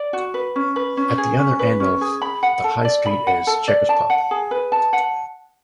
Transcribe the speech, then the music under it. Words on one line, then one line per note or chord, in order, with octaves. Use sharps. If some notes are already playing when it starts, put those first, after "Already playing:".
At the other end of the High Street is the Chequers pub.
Already playing: D5
F#4
B4
C#4
B4
C#4
G#4
C#4
B4
C#4
G#4
B5
F#5
A4
D5
B5
F#5
A4
D5
A5
F#5
G#4
B4
A5
F#5